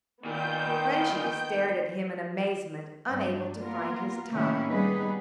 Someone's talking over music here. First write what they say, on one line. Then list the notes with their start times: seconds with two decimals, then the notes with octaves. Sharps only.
"Frenchy" stared at him in amazement, unable to find his tongue.
0.25 A#2 D#3 B3 G5 G6
3.07 G2 D4
3.60 A#3 B3 F4 A#4
4.30 A2 C3 D#3 A#3 C#4 E4
4.69 G3 B3 D#4 G#4 B4